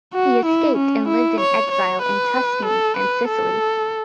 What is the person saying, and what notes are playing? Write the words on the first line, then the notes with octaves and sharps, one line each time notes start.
He escaped and lived in exile in Tuscany and Sicily.
F#4
E4
C#4
E4
C#5
C#5
B4
A4
B4
A4